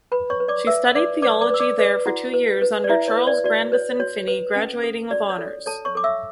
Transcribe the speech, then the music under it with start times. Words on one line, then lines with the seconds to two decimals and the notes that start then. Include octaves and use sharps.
She studied theology there for two years under Charles Grandison Finney graduating with honours.
0.12 B4 B5
0.30 C#5 C#6
0.40 B4
0.48 D5 D6
0.67 B4 E5 E6
0.95 B4 D5 D6
1.22 B4 D5 D6
1.41 D5 D6
1.51 B4 E6
1.60 D5 D6
1.79 B4 D5 D6
2.06 E4 F#4 F#5
2.34 B4
2.62 B4
2.84 D5
2.89 E4 B4 E5
3.08 C#5
3.17 B4
3.27 D5
3.44 F#4 D5
3.72 B4 C#5
4.00 F#4 C#5
4.28 B4
4.56 C#4
4.83 A4
5.11 F#4 D5
5.30 C#5
5.39 A4
5.66 A4 C#5 A5
5.85 C#5 C#6
5.95 A4 D6
6.04 E5 E6